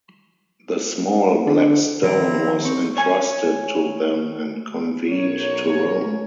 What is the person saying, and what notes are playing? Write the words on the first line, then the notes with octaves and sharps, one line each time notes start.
The small black stone was entrusted to them and conveyed to Rome.
D3
D#3 F3 C4 E4 D5 A#5
C4 C#6
C#5 G#5
B1 A#4 C#5